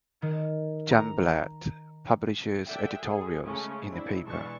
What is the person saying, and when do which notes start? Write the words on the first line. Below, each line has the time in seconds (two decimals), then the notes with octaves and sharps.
Jumblatt publishes editorials in the paper.
0.22 D#3
0.91 A#5
2.66 A4 D5 E5 F#5 G5
2.97 G#4 A4
3.44 C#3 G#3 A3 C#4
3.90 C4 D4 E4
4.23 B1 E3 G#3 D4 A5 C#6